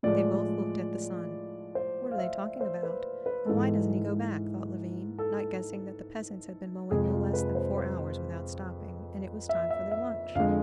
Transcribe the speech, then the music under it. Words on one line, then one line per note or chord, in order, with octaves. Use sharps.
They both looked at the sun. "What are they talking about, and why doesn't he go back?" thought Levin, not guessing that the peasants had been mowing no less than four hours without stopping, and it was time for their lunch.
A2 F3 G#3 D5
C5
F5
E5
C5
B4
B4
G#2 E3 G#3 A4
A4
F2 C3 F3 G#3 G#4
F4
B4
C5
C5
E5
E5
E5
F2 D3 G#3 F5